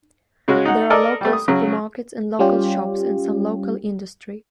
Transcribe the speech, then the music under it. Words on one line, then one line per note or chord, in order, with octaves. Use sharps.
There are local supermarkets and local shops, and some local industry.
C#3 G#3 C#4 F#4
D#4 F#5
A4 A#4 D5 D#5
G3 A3
D#6
C#3 F#3
G3 C#4 F4 G4